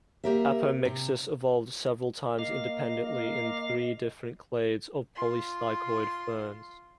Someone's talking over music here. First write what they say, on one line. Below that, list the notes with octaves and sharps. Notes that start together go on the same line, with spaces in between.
Apomixis evolved several times independently in three different clades of polystichoid ferns.
A#3 G4 A#4 E5
C3
A#3 D#5 F5
F4 C6